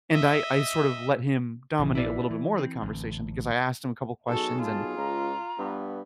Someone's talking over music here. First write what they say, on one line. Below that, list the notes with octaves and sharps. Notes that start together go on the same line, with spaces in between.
and I I sort of let him dominate a little bit more of the conversation, because I asked him a couple questions and
D#5 E5
A#1 C3 E3
E4 B4 D5
E3
C4
A1 D3
B1 F#4 G#4 A4
F4 A5
C#2 A#5
G2 B3